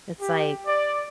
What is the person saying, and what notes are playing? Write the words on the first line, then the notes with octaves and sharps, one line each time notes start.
It's, like,
G4
D5